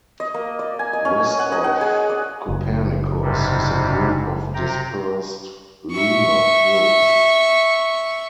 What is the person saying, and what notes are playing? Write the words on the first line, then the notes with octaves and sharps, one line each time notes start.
West of Copernicus is a group of dispersed lunar hills.
D#5
A#3
D5
G#5
D#5
C#4
G#5
F#5
D#5
F#5
G#4
D5
F#1
G#2 C3 G3
C3 G5 A#5
E5 C#6